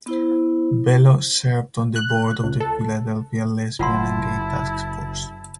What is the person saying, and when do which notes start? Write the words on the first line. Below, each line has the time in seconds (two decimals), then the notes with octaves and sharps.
Bello served on the board of the Philadelphia Lesbian and Gay Task Force.
0.06 B3 E4 C5
1.96 F#6
2.44 C#2
2.60 A4
3.79 F#1 E4 F4 F#5 A5 C6